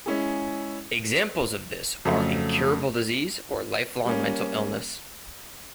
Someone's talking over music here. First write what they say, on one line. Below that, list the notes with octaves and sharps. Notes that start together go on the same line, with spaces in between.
Examples of this are incurable disease or lifelong mental illness.
G#3 C#4 E4 G#4
F2 C#3 F#3 A3
G3 A#3 C#4